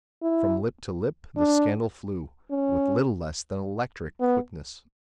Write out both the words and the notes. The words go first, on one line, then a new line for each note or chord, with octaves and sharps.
From lip to lip the scandal flew, with little less than electric quickness.
E4
D4
C#4
B3